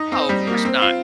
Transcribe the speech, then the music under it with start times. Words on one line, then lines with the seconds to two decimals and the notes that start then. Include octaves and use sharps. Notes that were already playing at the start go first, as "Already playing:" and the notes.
Oh, course not.
Already playing: D#4
0.12 C4
0.29 G3
0.47 A#3
0.65 C4
0.82 F4